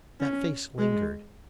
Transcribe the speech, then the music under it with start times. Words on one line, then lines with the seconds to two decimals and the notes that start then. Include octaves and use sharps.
That face lingered.
0.20 C#4
0.79 G#3